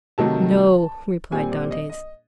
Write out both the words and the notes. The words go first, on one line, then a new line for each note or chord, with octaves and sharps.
"No," replied Dantes.
C3 D#3 F#3 A3 A5
A#2 G3 C4 G#5
D5
D#5
D#5